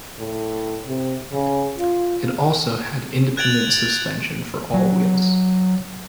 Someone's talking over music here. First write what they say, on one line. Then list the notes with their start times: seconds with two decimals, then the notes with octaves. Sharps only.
It also had independent suspension for all for wheels.
0.18 A2
0.87 C3
1.32 C#3
1.78 F4
3.37 F#6 G#6 A6 D7 F7 F#7
4.74 F#3